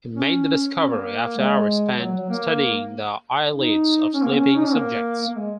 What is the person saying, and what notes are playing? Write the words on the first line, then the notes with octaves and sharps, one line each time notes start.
He made the discovery after hours spent studying the eyelids of sleeping subjects.
C#4
C#4
A#3
G#3
F#3
F#3
A#3
D#4
C#4
A#3
C#4
D#4
C#4
A#3
A#3
G#3